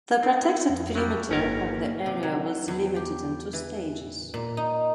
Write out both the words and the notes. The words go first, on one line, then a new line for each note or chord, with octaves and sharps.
The protected perimeter of the area was delimited in two stages.
C4 D#4
F2
F#3 G3
G1 A#3 C#4 A#4
C3
F#3
E2
G4
E3
A#2
D#4